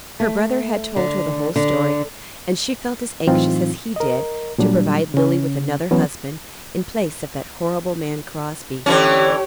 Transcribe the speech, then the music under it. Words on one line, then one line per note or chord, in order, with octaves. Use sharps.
Her brother had told her the whole story, and she felt as anxious as he did to provide Lily with another husband in place of that horrible man Crosbie.
A3
D3
D3
A2 E3 F#3 C4 D#4 F4
A#4 D#5
A#2 F#3 G3 D4
C#3 C#4
E3 F#3 B3 C#4
D3 E3 C#4 G4 C#5